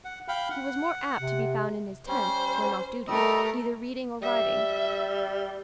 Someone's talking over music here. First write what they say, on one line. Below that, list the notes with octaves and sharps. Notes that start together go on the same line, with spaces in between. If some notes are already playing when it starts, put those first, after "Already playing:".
He was more apt to be found in his tent, when off duty, either reading or writing.
F#5
F5 G5 B5
F#5
C3
G3 C#4 C5
G3 A3 A#4 D#5 E6
G3 E5